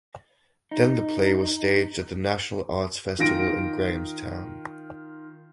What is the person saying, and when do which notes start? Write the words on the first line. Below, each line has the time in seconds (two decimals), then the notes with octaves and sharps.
Then the play was staged at the National Arts Festival in Grahamstown.
0.71 D#4
3.19 D#3 F4 A#6 D7